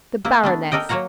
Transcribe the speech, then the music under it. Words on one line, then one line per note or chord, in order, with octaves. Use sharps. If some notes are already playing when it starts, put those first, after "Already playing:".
"The Baroness."
A#3 B3 E4
A3 B3 D4
A4 A#4 D5 D#5 G5
F#3 A#3 C#5 F#5 A#5